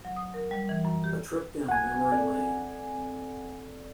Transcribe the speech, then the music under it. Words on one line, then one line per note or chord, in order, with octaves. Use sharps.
A trip down memory lane.
F#3
D#6
A#4
G3
E3
F#2
G4
B1 F#5 G#5
C4 A4 D5